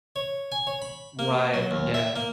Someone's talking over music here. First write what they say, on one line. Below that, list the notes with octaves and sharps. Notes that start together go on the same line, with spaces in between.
Right, yeah.
C#5
G#5
C#5
B5
A#3
F#3
D#2
E5
A#3